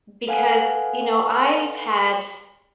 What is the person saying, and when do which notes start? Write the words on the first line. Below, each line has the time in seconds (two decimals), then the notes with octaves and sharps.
because, you know, I've had
0.27 A4 B4 F5 F#5 G#5